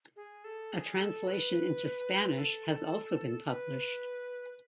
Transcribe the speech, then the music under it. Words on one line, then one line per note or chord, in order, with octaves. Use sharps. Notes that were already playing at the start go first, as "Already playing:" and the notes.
A translation into Spanish has also been published.
G#4
A4
G#4
A4
B4
B4
A4
B4